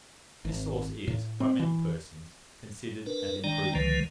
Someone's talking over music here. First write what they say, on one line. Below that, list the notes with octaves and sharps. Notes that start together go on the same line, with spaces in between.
This sauce is, by many persons, considered an improvement.
G#1
A2
C4
E3
D4 A#4 B4
D#3 G#3 D4 D5 G5 A#5
C#2 D3 D#3 F3 G#3 B4